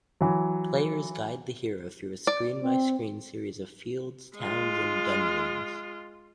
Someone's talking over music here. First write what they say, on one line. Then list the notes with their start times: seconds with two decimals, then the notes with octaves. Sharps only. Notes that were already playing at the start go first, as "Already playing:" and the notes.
Players guide the hero through a screen-by-screen series of fields, towns, and dungeons.
0.21 E3 F#3
2.27 D5
2.63 C4
4.37 G#3 F4